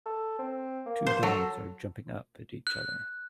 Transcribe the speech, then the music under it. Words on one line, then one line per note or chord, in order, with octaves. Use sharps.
Two dogs are jumping up at each other.
A4
C4
A#3
C5
F#3 A4
F#6